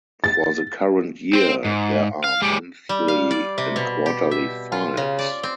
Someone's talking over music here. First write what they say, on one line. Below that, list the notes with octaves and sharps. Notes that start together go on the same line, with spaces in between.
For the current year there are monthly and quarterly files.
A6
C4 C5
G#2
F5
G#3 G4
G3
F5
D5
C3
B2
G4
E5
F4
C#3
D5
C4